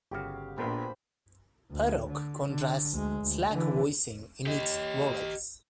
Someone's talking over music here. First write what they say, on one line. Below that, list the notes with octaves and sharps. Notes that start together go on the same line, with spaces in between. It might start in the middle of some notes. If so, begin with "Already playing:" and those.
Parauk contrasts slack voicing in its vowels.
G1 C#3 F#4 G4 F5
A#1 A#2 B3 D4 A#4 C5 G5 B5
D2
D3
D3
D2 G#3
D2
D3 E3
G4 D#5